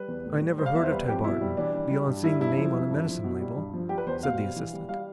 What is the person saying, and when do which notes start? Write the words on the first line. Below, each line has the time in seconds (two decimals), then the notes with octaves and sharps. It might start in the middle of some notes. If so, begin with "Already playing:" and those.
"I never heard of Ted Barton, beyond seeing the name on a medicine label," said the assistant.
Already playing: G3 B4
0.08 E2
0.26 A2
0.41 G3
0.58 G3 C5
0.66 F5
0.75 E2 E5
0.84 C5
0.91 G3 B4
1.08 F2 G4
1.24 B2 E4
1.41 G3
1.57 E3 D4
1.75 G3
1.91 G3
2.07 G2
2.24 G3 E4
2.40 G2 E4
2.57 F3 E4
2.74 F2
2.90 G2
3.07 F3
3.24 B2
3.40 G3
3.57 G2
3.73 F3
3.89 G3 G4
3.98 B4
4.07 E2 C5
4.23 B2 F5
4.39 G3
4.56 E3
4.73 G3
4.89 G3 F5